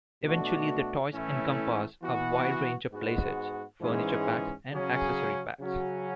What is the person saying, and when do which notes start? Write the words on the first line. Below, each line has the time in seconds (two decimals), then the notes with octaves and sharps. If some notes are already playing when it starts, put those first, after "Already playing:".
Eventually, the toys encompassed a wide range of playsets, furniture packs, and accessory packs.
0.23 B2 A3 D4 F#4
1.13 A2 E3 A3 C#4 E4
2.03 E3 B3 F#4
2.92 G#2 G#3 B3 F#4
3.81 G#2 E3 G#3 C#4 G#4
4.71 C#3 F#3 C#4 G#4
5.60 C#3 F#3 C#4 F#4